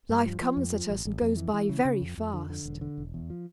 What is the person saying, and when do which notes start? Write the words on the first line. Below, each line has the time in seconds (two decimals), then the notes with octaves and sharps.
Life comes at us and goes by very fast.
0.09 G2
0.25 F3
0.41 F3
0.57 F2
0.73 F3
0.90 A1
1.05 A1
1.21 F2
1.37 E3
1.53 E3
1.69 C#3
1.85 C#3
2.02 F2
2.18 F2
2.34 D3
2.50 D3
2.66 E1
2.81 D3
2.98 E1
3.14 E2
3.30 F3